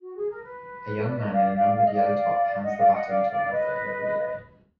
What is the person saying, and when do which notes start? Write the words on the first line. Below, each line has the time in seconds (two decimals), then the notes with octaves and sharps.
A young man in a numbered yellow top hands the baton to another in a relay.
0.01 F#4
0.16 G#4
0.29 A#4
0.43 B4
1.04 D5
1.18 D#5
1.31 D5 F5
1.53 D5 F5
1.75 F5
1.85 D#5
1.93 D5 F5
2.63 D#5 F#5
2.77 D5 F5
2.92 D#5 F#5
3.07 D5 F5
3.29 D5 F5
3.44 F5
3.51 B4 D#5